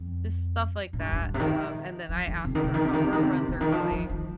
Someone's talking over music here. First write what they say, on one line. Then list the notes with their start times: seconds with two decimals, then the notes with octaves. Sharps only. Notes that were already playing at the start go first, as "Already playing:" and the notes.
just stuff like that, um, and then I ask her how her runs are going,
Already playing: F2
0.93 A#2
0.99 G2
1.12 G2
1.26 A#2
1.34 C3
1.40 D#3
2.09 F3
2.27 D#3
2.45 C3
2.55 D#3
2.64 C3
2.74 D#3
2.84 C3
2.93 D#3
3.04 C3
3.13 D#3
3.22 C3
3.48 C3
3.61 D#3
3.72 F3
3.91 F3
4.10 D#3